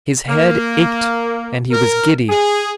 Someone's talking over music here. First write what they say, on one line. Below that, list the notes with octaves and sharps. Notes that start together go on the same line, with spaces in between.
His head ached and he was giddy.
A#3
A#4
G#4